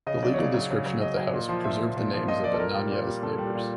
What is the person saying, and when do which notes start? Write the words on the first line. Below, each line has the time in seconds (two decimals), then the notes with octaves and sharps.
The legal descriptions of the house preserve the names of Ananiah's neighbors.
0.07 C#3 D#5
0.22 F#3 D5
0.33 C#5
0.38 C#3 D5
0.54 F#3
0.70 C#3
0.86 F#3
1.01 C#3 D#5
1.17 F#3
1.34 A#2
1.49 F3
1.64 A#2 E5
1.80 F3
1.97 A#2
2.13 F3
2.28 A#2 D#5
2.44 F3 D5
2.54 A4
2.60 A#2 A#4
2.75 G3
2.91 A#2
3.07 G3
3.23 A#2 A4
3.38 G3
3.55 A#2